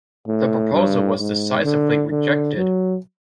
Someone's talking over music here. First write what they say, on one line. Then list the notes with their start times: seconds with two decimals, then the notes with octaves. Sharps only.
The proposal was decisively rejected.
0.27 A2
0.73 G2
1.20 G#2
1.64 D3
2.11 D3
2.57 F#3